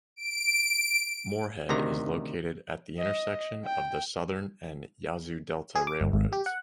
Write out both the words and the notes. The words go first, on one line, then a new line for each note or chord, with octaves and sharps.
Moorhead is located at the intersection of the Southern and Yazoo Delta railroads.
D7
D2 C3 D#3 A#5
D#5
G5
G#4
D6
G1
G#1
G4
F#5